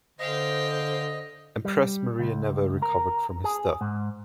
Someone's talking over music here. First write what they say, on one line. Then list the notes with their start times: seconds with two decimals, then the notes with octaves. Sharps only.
Empress Maria never recovered from his death.
0.19 D3 C5 D#5 F5 G5
1.65 G3
2.19 C#2
2.82 A#4
3.44 G#4
3.81 G#2